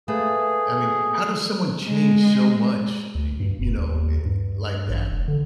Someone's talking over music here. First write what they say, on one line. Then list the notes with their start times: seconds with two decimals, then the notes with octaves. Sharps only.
I mean, how does someone change so much, eh, y you know, eh, like that?
0.08 A3 A#3 G#4 B4
1.87 G#3
3.15 D2
3.40 G2
3.59 F1
3.78 D#2
4.26 G2
4.89 A1
5.12 F1
5.28 D3